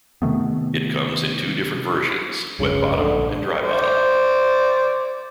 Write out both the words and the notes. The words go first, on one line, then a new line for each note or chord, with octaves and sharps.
It comes in two different versions: wet bottom and dry bottom.
C3 D#3 A3 B3
F1 C#2 G2 C#3
A#1 D3
C5 D5